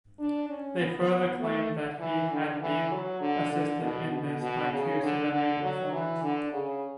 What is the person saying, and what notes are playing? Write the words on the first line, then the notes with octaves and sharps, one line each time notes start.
They further claimed that he had been assisted in this by two civilian informants.
D4
C#4
B3
A3
E3
D3
E3
F#3
D3
D3
B2
B2
B2
C#3
D3
D3
F#3
E3
D3
C#3